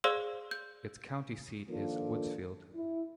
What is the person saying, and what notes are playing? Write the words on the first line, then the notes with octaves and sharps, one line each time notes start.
Its county seat is Woodsfield.
G#4 C5 D5 F5 C6 E6
G6
D#3 F3 A#3 D4 F4 A4
E4